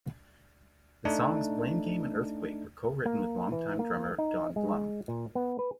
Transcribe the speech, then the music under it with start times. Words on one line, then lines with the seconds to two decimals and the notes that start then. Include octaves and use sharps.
The songs "blame game" and "Earthquake" were co-written with longtime drummer Don Blum.
1.05 A3 D4 D#4
3.06 A#3
3.52 E3
3.79 A#3
4.18 D#4
4.56 G#3
5.08 A#2
5.35 B3
5.59 B4